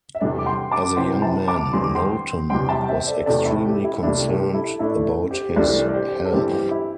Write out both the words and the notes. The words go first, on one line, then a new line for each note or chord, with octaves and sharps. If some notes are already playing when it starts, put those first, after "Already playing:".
As a young man, Knowlton was extremely concerned about his health.
E5
E2 C3 G3 D4 A4 D5
D6
G5 C6
A5 D6
C3 E3 C4 G5 C6
G5
E5 A5
A5 D6
E2 D3 G3 C4 C6
D6
G5 C6
E2 C3 G3 C4 G5 C6
E5 A5
G5
C5 E5
A4 D5
E2 C3 A3 C4 A4 D5
E4 A4
G4
G4
E4
C2 C3 A3 D4 E4
G4
E4 A4
A2 A3 D4 E4 A4
G4 C5
C2 C3 E3 A3 D4 A4 D5
D5
G4 C5
A4
G2 E3 G3 C4 G4
G4
E4